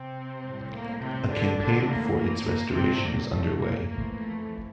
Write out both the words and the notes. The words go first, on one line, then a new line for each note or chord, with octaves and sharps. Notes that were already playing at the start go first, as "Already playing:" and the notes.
A campaign for its restoration is underway.
Already playing: C3 C4
A2 G3
A#3
C3 C4
D3 D4
A2 D3 E3 A3 D4
A#3
A#3
A#3
A2 C3 G3 C4
A#3
A3
A#3
F2 E3 A3 A#3
A3